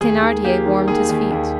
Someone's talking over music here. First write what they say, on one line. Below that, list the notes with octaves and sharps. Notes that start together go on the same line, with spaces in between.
Thenardier warmed his feet.
D#2 G#4
D#3
A#3 G4
D#3
D#2 G#4
D#2
D#2